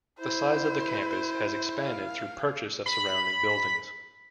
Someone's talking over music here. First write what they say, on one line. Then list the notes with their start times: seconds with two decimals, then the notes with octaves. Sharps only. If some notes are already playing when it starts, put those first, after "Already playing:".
The size of the campus has expanded through purchase of surrounding buildings.
0.20 E4 C5
1.81 F5
2.86 B5